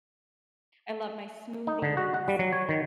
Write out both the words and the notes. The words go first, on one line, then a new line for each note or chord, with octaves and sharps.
I love my smoothies.
D#4
D3
F#4
F#5
G3
F#3
C#5
D#3